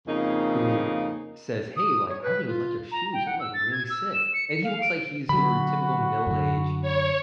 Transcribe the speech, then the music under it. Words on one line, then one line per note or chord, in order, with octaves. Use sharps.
who says, "Hey, like, I really like your shoes, they're, like, really sick," and he looks like he's your typical middle-aged,
F2 C#3 A#3 D#4
D#6
C#5
B4
F4
A#5
G5
F#5
E6
A6
G#6
E6
E7
C#7
C#7
F5
D7
D3 F#3 F#4 B5
F#2 D3
C#5